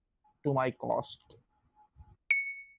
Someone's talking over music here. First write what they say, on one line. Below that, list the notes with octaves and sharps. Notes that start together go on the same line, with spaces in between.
To my cost.'
C#7